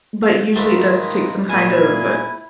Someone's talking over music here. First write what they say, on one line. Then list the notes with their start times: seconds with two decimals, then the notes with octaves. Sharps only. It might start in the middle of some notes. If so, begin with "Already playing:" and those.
but usually, it does take some kind of, uh,
0.23 F5 G6
0.56 G#2 D#3 A3 F4 B4 A#5
1.49 A#2 E4 G#5